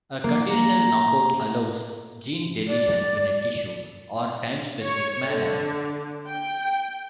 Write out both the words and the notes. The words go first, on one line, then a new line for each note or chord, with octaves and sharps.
A conditional knockout allows gene deletion in a tissue or time specific manner.
A#3
A#5
D5
C#5
D3
G5